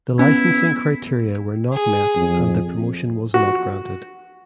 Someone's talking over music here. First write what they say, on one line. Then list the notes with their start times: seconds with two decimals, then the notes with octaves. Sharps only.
The licensing criteria were not met and the promotion was not granted.
0.19 B3 C#4 E4
1.73 G#4
2.16 F2
3.34 F#4